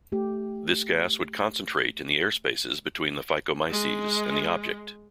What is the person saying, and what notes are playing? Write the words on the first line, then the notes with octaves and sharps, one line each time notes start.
This gas would concentrate in the airspace between the "Phycomyces" and the object.
A3 G4
G#3